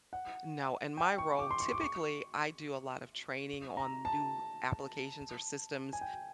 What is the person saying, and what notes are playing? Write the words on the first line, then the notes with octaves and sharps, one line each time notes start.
No, in my role, typically, I do a lot of training on new applications or systems,
F#5
G5
C#6
D6
C6
C#6
D6
C#6
A#5
A5
G#5
G5